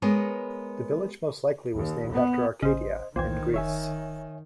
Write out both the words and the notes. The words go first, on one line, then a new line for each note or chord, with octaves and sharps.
The village most likely was named after Arcadia, in Greece.
G#3 B3 A#4 C#5
D#2
B3
A1 C#3 C5 D#5
B1 E2 A#2 D#3 C5 G5 G#6
F1 C#5 E5 G#5